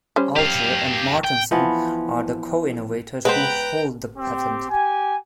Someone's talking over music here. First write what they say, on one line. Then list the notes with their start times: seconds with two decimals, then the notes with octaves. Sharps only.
Alger and Martinsen are the co-inventors who hold the patent.
0.16 G3 C#4 C5
0.36 G4 F5
1.24 G5
1.51 E3 F3 B3
3.25 G#3 B3 B4 C5 G5 A#5
4.16 C4 G4
4.69 G4 G#5